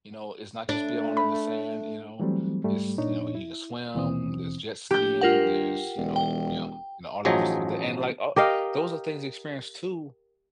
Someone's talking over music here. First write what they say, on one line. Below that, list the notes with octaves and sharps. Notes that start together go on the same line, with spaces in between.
you know, it's not just being all in the sand, you know, it's you know, you can swim, there's jet skiing, there's you know, you can be on you know, all the different stuff like that, and like, uh, those are things to experience too.
A3 D4
B5
E3 F#3 G3 A3 C4
G#2 G3 A3
A#2 D4 D#4 C#5
E4
D#2 B2 E3 C4 D#6
A#1 G4 G6
G2 F4 A#4 F#5
E1
G5
A1 F3 F#3 D#4 G#4 D#5
G4 A#4 D#5 F5